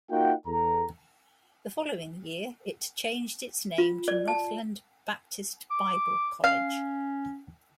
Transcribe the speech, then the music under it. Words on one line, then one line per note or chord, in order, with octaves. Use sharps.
The following year, it changed its name to Northland Baptist Bible College.
A#3 D#4 F4 F#4 F#5 G5
E2 A4 A#5
F4
D5
A5
D6
C#4 F5